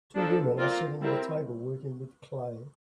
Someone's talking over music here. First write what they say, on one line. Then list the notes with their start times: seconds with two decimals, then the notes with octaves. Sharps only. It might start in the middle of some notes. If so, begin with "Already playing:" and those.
Two woman are sitting at a table working with clay.
0.15 F3 A#3 D4 A4
0.58 C4 F4 A#4 D5
1.01 G3 C4 E4 A#4